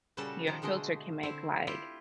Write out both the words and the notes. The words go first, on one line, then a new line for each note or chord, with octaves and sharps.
your filter can make, like,
A#2 C#3 G3 F#4 A4 A5
D#3 F3 A#5
B2 D3 G#3 A3 D#5
D3 C4 E4
E4 F4 G4